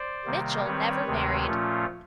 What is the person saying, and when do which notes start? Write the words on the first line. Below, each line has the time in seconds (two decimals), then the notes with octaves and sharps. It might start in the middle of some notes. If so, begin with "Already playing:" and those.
Mitchell never married.
Already playing: C5 D5
0.24 C3 D#3 G3 A#3
0.65 D#3 G3 C4 B4 C#5
1.06 D2 C3 D#3 G#3 C4
1.45 A#2 F3 A3 C#4 F4